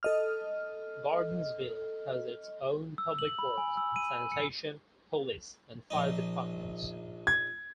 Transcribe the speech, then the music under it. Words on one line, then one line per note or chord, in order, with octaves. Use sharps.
Gordonsville has its own public works, sanitation, police, and fire departments.
A4 D#5 F6
E6
F#7
B5
G#5
E6
D#7
C#7
A#1 D#4
G#6